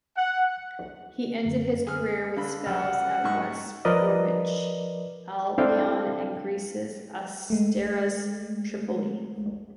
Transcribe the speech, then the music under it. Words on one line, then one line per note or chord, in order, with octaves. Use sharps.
He ended his career with spells at West Bromwich Albion and Greece's Asteras Tripoli.
F#5
F#2 D3
G#4 G#5 F6
D3 F5 B5
C#2 F#2 C#3 F#5 F6
G#2 C#6
F3 A#4 B4 D5 D#5
C4 D4 E4 A4 F5 G5
G#3 A3